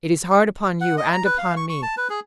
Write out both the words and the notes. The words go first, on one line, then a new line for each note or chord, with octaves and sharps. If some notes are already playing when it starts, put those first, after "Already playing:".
It is hard upon you,--and upon me.
F#5
D#5
A#5
B4
F5
C#6
C#6
A5
B4
G#4